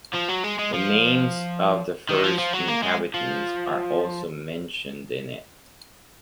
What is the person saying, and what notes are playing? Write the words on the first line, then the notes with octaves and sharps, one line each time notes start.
The names of the first inhabitants are also mentioned in it.
F3
F#3
G#3
G#3
F3
D#3
F3
F3
F#3
A#3
G#3
F3